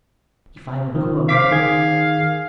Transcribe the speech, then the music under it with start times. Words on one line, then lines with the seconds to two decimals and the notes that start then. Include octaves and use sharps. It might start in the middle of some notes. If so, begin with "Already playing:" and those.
If I recall him!
0.95 D#3 F3
1.29 C5 F5 D6 B6
1.51 D#3 G#4 G#6